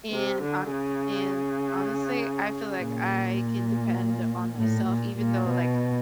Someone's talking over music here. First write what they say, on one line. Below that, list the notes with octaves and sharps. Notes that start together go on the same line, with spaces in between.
and on and honestly, I feel like I can depend on myself even though, like,
C3
D3
C#3
A#2
A2
A#2
A#2
B2